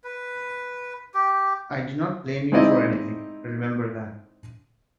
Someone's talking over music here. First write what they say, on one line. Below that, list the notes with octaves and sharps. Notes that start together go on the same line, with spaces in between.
I do not blame you for anything; remember that.
B4
G4
G#3 C4 D#4 E4 D5 D#5